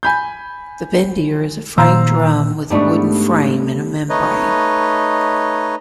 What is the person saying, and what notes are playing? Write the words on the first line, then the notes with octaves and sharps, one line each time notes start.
The "bendir" is a frame drum with a wooden frame and a membrane.
G#5 B5 G6
A#2 D#3 C5 F5 A#5 E6
G#2 G3 A3 B3 D4 C#6
A3 D#4 B4 C#5 D#5